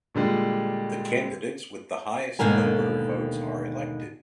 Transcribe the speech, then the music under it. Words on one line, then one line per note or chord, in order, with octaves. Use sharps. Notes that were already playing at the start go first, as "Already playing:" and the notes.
The candidates with the highest number of votes are elected.
A#2 D3 G3 G#3
D#2 G#2 B2 D3 A#4 G#5